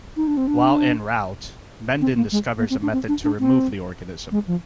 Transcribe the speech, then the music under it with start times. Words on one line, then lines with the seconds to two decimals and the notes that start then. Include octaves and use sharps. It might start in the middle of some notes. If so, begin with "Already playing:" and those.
While en route, Mendon discovers a method to remove the organism.
0.17 D#4
0.27 D4
0.37 C4
0.47 D4
2.01 C4
2.17 A#3
2.32 G#3
2.59 A#3
2.70 C4
2.82 D4
2.93 C4
3.08 D4
3.24 D4
3.40 C4
4.32 G#3
4.47 F3